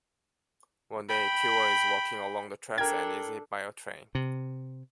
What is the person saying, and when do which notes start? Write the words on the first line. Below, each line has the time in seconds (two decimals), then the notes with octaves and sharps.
One day Ikuo is walking along the tracks and is hit by a train.
1.09 G5 B5
2.78 D4 A4 A#4 G5 G#6
4.15 C3